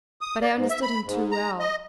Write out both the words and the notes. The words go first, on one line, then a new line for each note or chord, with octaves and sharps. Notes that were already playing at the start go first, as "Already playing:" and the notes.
But I understood him too well.
D#6
D5
G#2
E5
B5
G#2
A#5
D#5